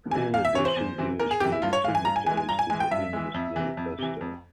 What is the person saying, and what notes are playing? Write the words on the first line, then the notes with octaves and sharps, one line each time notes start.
In addition he was one of the signatories to the Humanist Manifesto.
C3 E3 G#5
E2 F5
E5
C3 E3 C#5
C5
E2
C3 E3
E2 A#4
G#4
C3 E3 G4
E4
G2 F4
C#5
E3 G#3 F5
G#5
G2 A#5
G#5
E3 G#3 G#5
G#5
G2 A#5
G#5
E3 G#3 G#5
G5
G2 E5
E3 G#3
F2
C3 E3
F2
C3 E3
F2